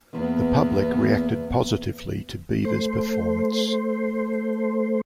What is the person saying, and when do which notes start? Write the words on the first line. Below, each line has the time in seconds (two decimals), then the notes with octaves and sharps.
The public reacted positively to Beavers' performance.
0.13 E2 A#3 B3
2.65 A3 C5